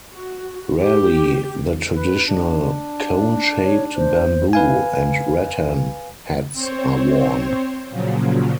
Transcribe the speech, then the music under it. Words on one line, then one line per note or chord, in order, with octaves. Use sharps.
Rarely, the traditional cone-shaped bamboo and rattan hats are worn.
F#4
G4
B4
D4
C#5
C5
B4 F5 G#5
C4 C5 C#5
A#2 C#3 F3 F#3